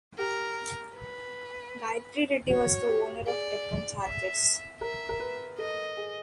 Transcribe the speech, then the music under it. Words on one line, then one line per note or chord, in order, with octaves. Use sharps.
Gayatri Reddy was the owner of Deccan Chargers.
G4 A#4
B4
F#4 C#5
G4
G#4 D5
E5
A#4 E5
A#4
B4
A4 D#5
G#4